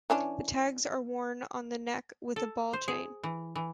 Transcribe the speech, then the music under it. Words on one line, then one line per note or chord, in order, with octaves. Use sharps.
The tags are worn on the neck with a ball chain.
E3 C#4 D4
A4
C5
G#4
E3
E3